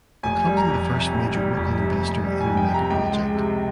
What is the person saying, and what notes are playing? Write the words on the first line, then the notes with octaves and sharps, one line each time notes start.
Becoming the first major local investor in the megaproject.
F1 G#5
G3
A#5
F2
C3
F1
G3
F2
C3
F1
G3
G#5
F2
G5
C3
A#5
C#2 G5
G#3
C3